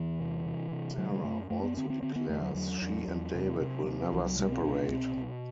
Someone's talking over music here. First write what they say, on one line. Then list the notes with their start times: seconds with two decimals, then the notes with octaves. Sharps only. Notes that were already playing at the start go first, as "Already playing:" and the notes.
Sara also declares she and David will never separate.
Already playing: E2 E3
0.20 C3
0.45 C3
0.72 C3
0.98 D3 F#3
1.12 G3
1.24 F#2 A3
1.50 F#2 A3
1.63 B3
1.77 D3 C4
1.90 C4
2.02 D3 C4
2.16 B3
2.29 E2 A3
2.42 F#3
2.55 E2 F#3
2.82 E2
3.08 E2
3.34 C3
3.61 C3
3.86 C3
4.12 C2 E3
4.26 F#3
4.39 B2 G3
4.52 C4
4.64 C2 D4
4.91 B2 C4
5.17 B2